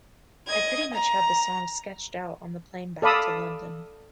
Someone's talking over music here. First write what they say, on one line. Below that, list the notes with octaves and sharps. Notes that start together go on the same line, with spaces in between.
I pretty much had the song sketched out on the plane back to London.
D#5 G#6
A#5
A4 D5 F5 B5 D#6 E6